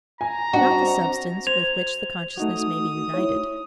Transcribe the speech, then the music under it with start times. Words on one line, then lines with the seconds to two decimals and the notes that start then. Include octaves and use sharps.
Not the substance with which the consciousness may be united.
0.21 G#5 A#5
0.53 C4 D4 F#4 D#5
1.47 C5 G#6 F7
2.37 A3 D#4 F#4 D#6
3.14 E4 C#5